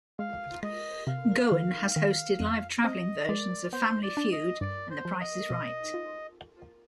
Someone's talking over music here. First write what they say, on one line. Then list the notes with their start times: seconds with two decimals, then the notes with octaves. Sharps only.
Goen has hosted live traveling versions of "Family Feud" and "The Price Is Right".
0.19 G#3 F5
0.63 G#3 D#5
1.07 C3 F5
1.51 D#3
1.96 D#3
2.40 F2
2.80 F5
2.84 C4 D#5
3.28 G#3 D5
3.73 B3 C5
4.03 D5
4.17 D4
4.32 D#5
4.61 G2 D5
4.91 C5
5.05 F3
5.21 D#5
5.50 B2
5.94 F4